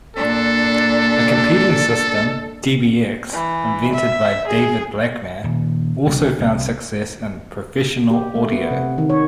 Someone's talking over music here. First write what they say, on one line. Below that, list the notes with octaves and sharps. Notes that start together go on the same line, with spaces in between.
A competing system, dbx, invented by David Blackmer, also found success in professional audio.
A#2 D4 A4
E3
E5
G#4
D#1
C2
C2
G4
A3
B3
C3
D#3
C#5